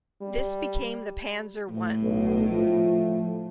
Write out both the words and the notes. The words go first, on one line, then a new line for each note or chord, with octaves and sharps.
This became the Panzer One.
G3
A2
B1
F3 A3